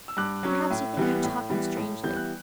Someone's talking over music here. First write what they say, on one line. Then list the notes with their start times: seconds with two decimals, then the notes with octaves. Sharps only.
Perhaps you think I am talking strangely.
0.08 E6
0.17 G2 D6 F#6
0.43 F#3 C#4
0.70 A2
0.97 E3 G3 B3
1.23 A2
1.50 E3 G3 B3
1.77 A2
2.03 E3 G3 B3 G6
2.17 F#6